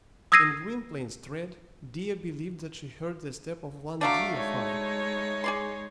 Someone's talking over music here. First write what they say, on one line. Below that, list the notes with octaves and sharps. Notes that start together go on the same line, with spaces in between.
In Gwynplaine's tread Dea believed that she heard the step of one deified.
D#6 E6 G#6 A#6 C7 D#7
F#3 A3 D4 F5 D6
G#3 D#4 C#5
G#4 D5 C6